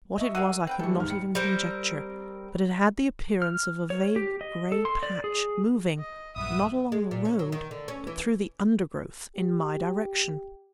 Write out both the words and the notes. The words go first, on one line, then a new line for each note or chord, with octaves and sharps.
What it was I could not even conjecture; but it had the appearance of a vague gray patch, moving--not along the road, but through the undergrowth--in my direction.
D#5 E5 C#6
F#4 G#4 A#4 E6 F#6 D#7
C4 B4 G5
E3 G3 A4 C#6
D#2 G#2 F6
G3 C#7
G3 C4 A#4
F6
C#5
G4
D#5
A4
C6
D5
G#4
D#5
A#1 G2 F#3 B3 E5 D#6
G#3
A#2
C#4
F#3
D#3
D3
C#4
E3
G4